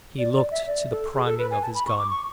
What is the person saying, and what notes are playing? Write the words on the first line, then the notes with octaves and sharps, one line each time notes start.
He looked to the priming of his gun.
D5
D5
E5
D5
A4
G#4
A4
B4
G#5
A5
B5
C#6
D6
C#6